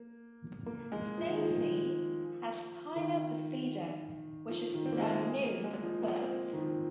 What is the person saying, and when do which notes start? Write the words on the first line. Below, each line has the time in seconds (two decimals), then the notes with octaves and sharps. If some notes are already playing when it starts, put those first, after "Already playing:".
Sophie has spina bifida, which was diagnosed at birth.
Already playing: A#3
0.66 A#3
0.92 G#3
1.18 F3
1.29 D#3
1.42 F3
2.96 D#3
4.49 F3
4.74 D#3
4.86 C4
4.92 A#3
5.00 G#3
5.44 A#3
5.64 G#3
5.83 F3
6.02 A#3
6.21 C4
6.53 D#3
6.59 F3